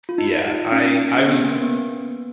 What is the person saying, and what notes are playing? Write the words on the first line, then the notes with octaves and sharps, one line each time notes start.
Yeah, I I was
F4
D#4
C#4
C#4
B3
A#3
B3